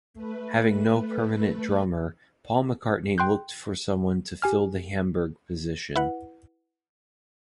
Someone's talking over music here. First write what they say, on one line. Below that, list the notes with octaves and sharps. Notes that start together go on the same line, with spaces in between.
Having no permanent drummer, Paul McCartney looked for someone to fill the Hamburg position.
A3 B4
G5 C6 F#6 G6
G4 G#5 F6
E4 B4 F#5